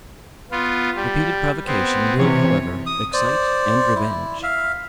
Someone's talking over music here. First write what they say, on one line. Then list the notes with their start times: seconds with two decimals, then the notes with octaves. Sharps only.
Repeated provocation will, however, excite and revenge.
0.51 B3 F4
0.96 G3
1.67 B3 C4
2.18 C3 E3 C#5
2.86 D#6
3.13 C5 D5
3.96 E4
4.43 E5 F5